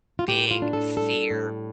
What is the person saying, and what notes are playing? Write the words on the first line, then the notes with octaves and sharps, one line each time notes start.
big fear
F4
A2 G4
F4
D4
A4
G3 A4
A2